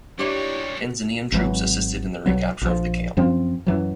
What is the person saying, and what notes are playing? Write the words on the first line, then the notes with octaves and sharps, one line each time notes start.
Tanzanian troops assisted in the recapture of the camp.
A#2 G3 D4 E4 G4 C#5
G#1 E3 F#3
B1 F#3 B3
A#1 F3
F#2 F3 C4
F#2 E3 F#3